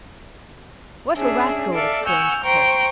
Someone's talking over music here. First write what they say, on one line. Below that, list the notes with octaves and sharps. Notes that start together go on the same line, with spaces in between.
"What a rascal!" exclaimed the clerk.
C#4 D4 G#4 E5
A4 D5 E5 F5
F#5 G#5 C#6 E6 F6 G6
C5 G5 A#5 C#6